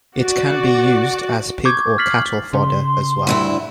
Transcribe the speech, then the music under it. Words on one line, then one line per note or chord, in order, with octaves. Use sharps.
It can be used as pig or cattle fodder, as well.
F#4 D5
C#6 D6 G6 G#6
F6 A6 B6 C7 F#7
C#3 C6
D2 G2 E4